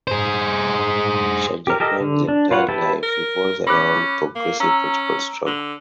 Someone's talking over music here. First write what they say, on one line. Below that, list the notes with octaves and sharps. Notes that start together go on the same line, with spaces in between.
Shahjahan’s entire life revolves around progressive political struggle.
G#4 C5
G4 A#4
G4 A4 A#4 D#5
D3
D4
F4 B4 C#5 F#5
E4 G4 B4 A5
A#4
C#4 B5 D6 F#6
A#3
C#4 A#5 E6
D3